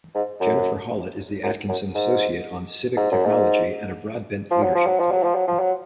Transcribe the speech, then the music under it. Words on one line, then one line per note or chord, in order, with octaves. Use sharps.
Jennifer Hollett is the Atkinson Associate on Civic Technology and a Broadbent Leadership Fellow.
G#2
F#2
F#2
F#2
G#2
G#2
F#2
G#2
F3
F#3
F3
F#3
F3
F#3
F3
F#3
F3
F#3